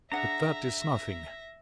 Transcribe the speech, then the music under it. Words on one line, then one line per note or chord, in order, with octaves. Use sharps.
But that is nothing.
D4 G#4 E5 F#5 A#5 A#6